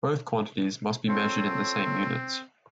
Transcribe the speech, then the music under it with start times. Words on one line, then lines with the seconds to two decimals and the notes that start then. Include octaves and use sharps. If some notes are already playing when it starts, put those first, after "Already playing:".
Both quantities must be measured in the same units.
1.09 C4 F4 A4 C#5